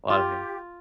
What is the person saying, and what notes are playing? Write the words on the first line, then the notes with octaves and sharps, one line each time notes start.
a lotta hair.
F4 G4